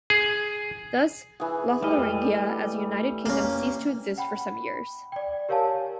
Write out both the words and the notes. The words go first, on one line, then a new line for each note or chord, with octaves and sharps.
Thus Lotharingia, as a united kingdom, ceased to exist for some years.
G#4
E3 G#4
G3 A3 D#5
A#3 C#4
F#5 G5 B5
D5 G5
G4 A#4 C#5 F5 G#5 A5